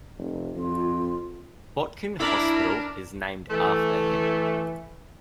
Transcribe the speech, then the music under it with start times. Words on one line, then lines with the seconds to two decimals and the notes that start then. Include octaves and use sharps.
Botkin Hospital is named after him.
0.18 F1
0.55 F2 F4
2.20 D4 E4 A#4 B5
3.50 E3 A3